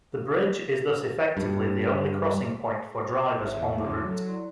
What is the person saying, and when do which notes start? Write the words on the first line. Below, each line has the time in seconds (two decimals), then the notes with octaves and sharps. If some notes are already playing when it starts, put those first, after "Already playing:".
The bridge is thus effectively the only crossing point for drivers on the route.
1.37 G2
3.39 G#1 C#5 E5
3.57 E2
3.84 E2 C#3 A5 C6 D6
4.03 F#3 F#4 A4
4.27 E4 D5 C6